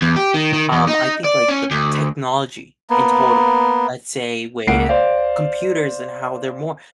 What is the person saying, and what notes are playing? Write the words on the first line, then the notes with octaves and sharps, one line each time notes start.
Um, I think like the technology in total, let's say with computers and how they're more
E2
G4
D#3
D#3
E2
D#4
D5
C#4
D2
A#3 B3
C#2 A#3 F#5 C7 D7
C5 D5 F5